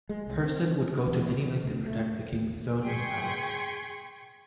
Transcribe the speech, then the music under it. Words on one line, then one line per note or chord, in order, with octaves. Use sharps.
Persson would go to any length to protect the King's throne and power.
G#3
C2
C4
E2
D2
A3
D#2
G#4 G5 C6 C#6 G#6 B6